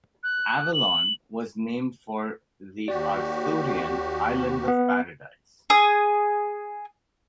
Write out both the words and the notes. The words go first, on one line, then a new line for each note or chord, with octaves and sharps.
Avalon was named for the Arthurian island of paradise.
F#6
F#7
D#2 F#4 G4 D5
B3
G#4 D#6